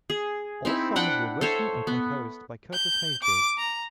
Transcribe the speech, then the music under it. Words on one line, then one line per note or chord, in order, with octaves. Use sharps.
All songs were written and composed by Curtis Mayfield.
G#4
C4 D#4 E4
D4 F#5 G5 B5
A4 C5 C#5 E5
B3
G6
D6
A#5